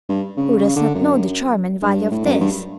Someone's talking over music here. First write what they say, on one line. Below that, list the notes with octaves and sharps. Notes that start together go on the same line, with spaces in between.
Who does not know the charm and value of this?
G2
C#3
C#3
D3
F#2
G2
A2
F#2
G2